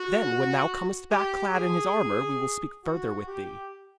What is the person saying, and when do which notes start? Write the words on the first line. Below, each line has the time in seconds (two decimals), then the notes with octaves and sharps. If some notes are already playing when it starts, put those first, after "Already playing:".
Then when thou comest back clad in his armour, we will speak further with thee.'
Already playing: F#4
1.10 G4
1.53 G#4
2.83 F#4
3.26 G4